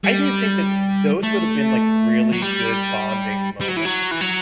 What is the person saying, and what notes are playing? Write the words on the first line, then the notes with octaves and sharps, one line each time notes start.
I do think that those would have been, like, really good bonding moments.
G3
A3
F#3
G3
G3
F#3
E3
F#3
E3
F#3